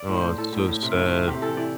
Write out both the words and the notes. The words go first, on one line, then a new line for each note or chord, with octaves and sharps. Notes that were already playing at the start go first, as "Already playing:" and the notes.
Oh, it's so sad.
Already playing: D5
A2
C5
A2
A2 A4
A2
A2
C3
A3
C3
C3 G4
E3 A4
E3 D5